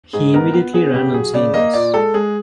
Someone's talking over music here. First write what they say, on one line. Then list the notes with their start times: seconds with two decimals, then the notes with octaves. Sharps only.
He immediately ran on seeing us.
0.13 G#2 G#4
0.34 B3 A#4
0.53 B3
0.74 B3 G#4
0.94 C#3 G4
1.14 F#3 G#4
1.33 C#3 D5
1.54 A#3 D#5
1.73 A#2 D5
1.94 G#3 A4
2.14 G#3 G#4